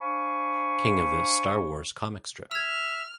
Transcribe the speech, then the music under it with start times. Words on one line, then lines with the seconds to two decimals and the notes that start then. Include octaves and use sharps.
King of the "Star Wars" comic strip.
0.01 D4 C5 F5 G#5 B5 C#6
2.51 E5 E6 F6 G#6